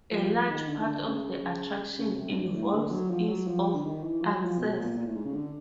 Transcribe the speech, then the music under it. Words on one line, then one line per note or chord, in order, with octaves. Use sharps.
A large part of the attraction involves ease of access.
F3
D#3
D3
D#3
D3
C#3
C#3
C3
G#2
G2
A2
D3
F#3
F3
F#3
F3
D3
D#3
E3
F3
F#3
F3
B2
A#2
A#2
A2
G#2
C#3
D3